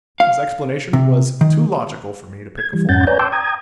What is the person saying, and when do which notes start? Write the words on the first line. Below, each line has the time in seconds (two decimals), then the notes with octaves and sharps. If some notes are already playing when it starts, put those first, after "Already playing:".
His explanation was too logical for me to pick a flaw in it.
0.20 F5
0.93 C3
1.41 D#3
2.57 G#6
2.73 E3 G3
2.89 F2 G#2 C#4 F#5 G6 A6
3.07 B4 C#5 D5 G#5 A#5 G6
3.19 G5 A5 C6 D6 E6 G6
3.32 G5 A#5 D#6 G#6